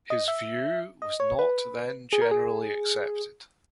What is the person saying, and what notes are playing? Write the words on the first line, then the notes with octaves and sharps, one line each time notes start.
His view was not then generally accepted.
D#5
E5
D#5
C#5
B4
G#4
A#4
G#4